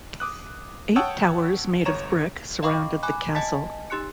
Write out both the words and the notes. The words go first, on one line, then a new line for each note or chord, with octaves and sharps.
Eight towers made of brick surrounded the castle.
D6 D#6 F#6
C#5 F#5 G5 A5 D#6 E6
G1 C#5 A#5 E7
D#5 F5 G5 B5 C#6 D6
G#5 B5 D6 F#6
D#5 G#5 A5 A6 B6
D#4 G4 C6 F#6 C#7